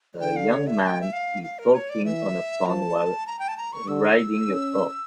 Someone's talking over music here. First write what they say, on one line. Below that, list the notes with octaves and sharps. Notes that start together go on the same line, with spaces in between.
A young man is talking on a phone while riding a horse.
D3 G5
F5
C#5
E5
A5
G5
E5
F5
F5
A#4
C#5
D5
E3 E5
F3 A5 A#5
A#5
G5
A5
A#5
C#6
D3 E6
C#4